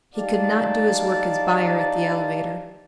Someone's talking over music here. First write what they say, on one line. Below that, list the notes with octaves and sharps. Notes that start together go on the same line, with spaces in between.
He could not do his work as buyer at the elevator.
D#4 G4 D5 F5 A5